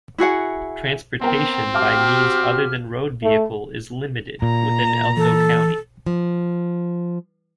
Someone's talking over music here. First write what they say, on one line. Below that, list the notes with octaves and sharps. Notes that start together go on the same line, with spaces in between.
Transportation by means other than road vehicle is limited within Elko County.
E4 F#4 G#4 F#5
B3 C4 A#4 G5
F#4 G4 F5 A5 D6 F6
A3
A#2 A#5
E3 A4
F3